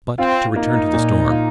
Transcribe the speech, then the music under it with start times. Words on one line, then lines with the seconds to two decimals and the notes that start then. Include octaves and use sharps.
But to return to the storm.
0.18 C4 F4
0.56 A#3 D#4
0.94 A#2
1.31 F4